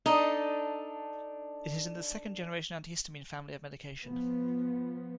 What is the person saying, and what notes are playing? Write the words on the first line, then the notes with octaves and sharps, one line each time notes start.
It is in the second-generation antihistamine family of medication.
D4 D#4 A4
F3 B3